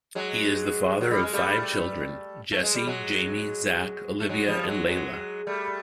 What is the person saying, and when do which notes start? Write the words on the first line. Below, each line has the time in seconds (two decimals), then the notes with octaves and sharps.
He is the father of five children: Jesse, Jamie, Zak, Olivia and Layla.
0.15 F#3 G#3
1.01 F#3
1.11 G3
1.23 G#3
1.33 G3 A3
2.52 A3
2.63 G#3
2.74 G3
2.87 F#3 G#3
4.20 A3
4.29 F#3 G#3
4.48 F3 G3
4.67 F#3 G#3
4.87 F#3 G#3
5.47 G3 A3